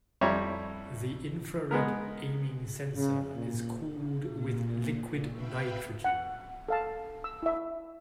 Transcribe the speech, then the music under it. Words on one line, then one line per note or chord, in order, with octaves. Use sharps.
The infrared aiming sensor is cooled with liquid nitrogen.
F2 G3 E4 C#5 A#5
G#3 B3 A#4
C#3
A#2
A#2
B4 E5 F5 G5 B5
F#5
A4 F5 A5
E6
E4 E5